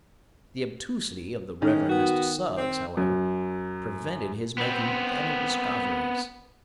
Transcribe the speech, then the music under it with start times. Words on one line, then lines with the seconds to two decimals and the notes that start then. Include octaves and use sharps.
The obtusity of the Reverend Mr. Suggs, however, prevented his making any discoveries.
1.62 D#3 E3 G#3 C#4
1.89 B3 F#4
2.57 C4
2.97 F#2
4.58 B3 C4